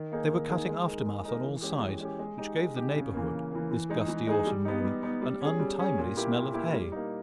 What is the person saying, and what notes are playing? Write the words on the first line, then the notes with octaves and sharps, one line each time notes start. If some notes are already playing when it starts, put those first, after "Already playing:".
They were cutting aftermath on all sides, which gave the neighbourhood, this gusty autumn morning, an untimely smell of hay.
Already playing: D#3
A#3 D#4 G#4
D#3
A#3 D#4 G#4
G#3
D#4 A#4
G#3
D#4 A#4
E3
G#3 C#4 G4
E3
G#3 C#4 G4
G#3
D#4 G4
G#3
D#4 G4
C#3
E3 A#3
C#3
E3 A#3
E3
G#3 D#4 G#4
E3
G#3 D#4 G#4
G3
B3 D#4
G3
B3 D#4
G3
C#4 G#4
G3
C#4 G#4
A#2
A#3 E4 G4
A#2
A#3 E4 G4
G3
A#3 D#4